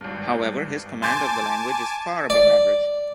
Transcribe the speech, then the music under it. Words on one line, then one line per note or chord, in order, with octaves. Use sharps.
However, his command of the language is far above average.
G#1 G2
G#5 A5 C6 D6 G6 A6
D5